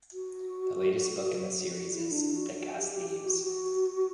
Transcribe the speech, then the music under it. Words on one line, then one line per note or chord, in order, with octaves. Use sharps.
The latest book in the series is "Thick as Thieves".
F#4
F#4
F#4
E4
D4
F#4
G4
G4
G4
F#4
F#4